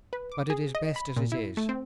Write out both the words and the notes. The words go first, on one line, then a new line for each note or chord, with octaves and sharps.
But it is best as it is.
B4
D6
G#4
D#5
B5
A#2
E4
A3
C4